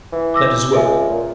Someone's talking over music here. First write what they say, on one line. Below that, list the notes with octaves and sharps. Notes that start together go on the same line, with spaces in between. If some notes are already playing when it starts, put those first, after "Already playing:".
"That is well."
E3
D6 E6 A#6
C#2 D#5 E5 G#5
A#2